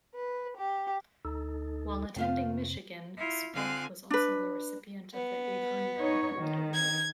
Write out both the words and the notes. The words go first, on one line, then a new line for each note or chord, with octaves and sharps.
While attending Michigan, Sproat was also the recipient of the Avery Hopwood Award.
B4
G4
D2 D#4 A4
F2 C3 A3 C4 F4 F5
E4 F4
D3 C4 F4 F5 G#5 F#6
D4 B4
B3
D#4 C#5
D#3
G#6